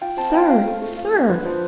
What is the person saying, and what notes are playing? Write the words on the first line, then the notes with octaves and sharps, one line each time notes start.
"Sir! sir!"
F4 G5
C4 A5
F4 G5
F4 F5
A3
A3
F4
A3
D3 B4
F3 C5